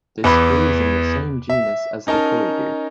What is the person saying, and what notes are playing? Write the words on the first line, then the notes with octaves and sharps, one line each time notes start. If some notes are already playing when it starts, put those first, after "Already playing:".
This tree is in the same genus as the coihue.
E2 E3 B4 B5 D6
E5
C#4 D#4 A#4 A5